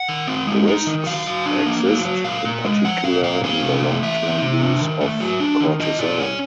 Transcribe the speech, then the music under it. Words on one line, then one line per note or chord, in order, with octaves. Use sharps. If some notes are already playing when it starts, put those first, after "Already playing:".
Risks exist, in particular in the long-term use of cortisone.
Already playing: F#5
D#3
C4
G#3
D#4
D#3
F#3 F5
F#3
D4
A#3
F#3
F#3
A#2 F5
A#2
G#3
F3 F#5
A#2 F5
A#2 F5
C4 F5
C3
A3
E3 E5
C4
C3
D4
D#3
A3
F#3
D4
D#3
F4 D#5
B2 D5
C#4 C#5